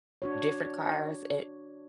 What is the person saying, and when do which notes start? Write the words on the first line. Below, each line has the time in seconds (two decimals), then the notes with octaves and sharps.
different cars and
0.22 D4 F#4 C#5